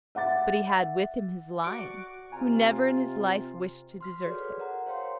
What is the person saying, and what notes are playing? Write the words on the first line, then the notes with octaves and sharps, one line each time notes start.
But he had with him his lion, who never in his life wished to desert him.
E5 F#5 D6 A6
F#4 D5 C#6 D6
C3 F4 G#5 A#5
C6 F6 B6
F#4 G#4 A4 B4 C#5 D5
A#4 F#5 A#5
C5 C#5 F5 G5 C6